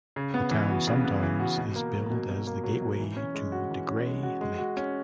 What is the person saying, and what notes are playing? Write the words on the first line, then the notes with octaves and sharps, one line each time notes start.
The town sometimes is billed as "The Gateway to DeGray Lake".
C#3
B3
E3
F#4
C#3
B3
E3
F#4
B2
A#3
F#3
B2
B2
A#3
F#3
B2
E3
C#4
G#3
F#4
E3
C#4
G#3
F#4
G#3
F#4
C#4